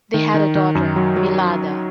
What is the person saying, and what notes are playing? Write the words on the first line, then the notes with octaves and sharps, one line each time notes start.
They had a daughter, Milada.
D#3
D#3
D#3
F#2
F#3
F#3